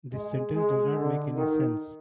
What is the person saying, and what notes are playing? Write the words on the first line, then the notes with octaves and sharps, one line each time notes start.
This sentence does not make any sense.
G#3
G#3
D3
D#3